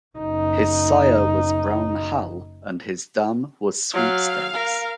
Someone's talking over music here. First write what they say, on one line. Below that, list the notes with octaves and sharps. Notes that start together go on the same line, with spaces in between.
His sire was Brown Hal and his dam was Sweepstakes.
F#1 D#4
F#3 F5
A#4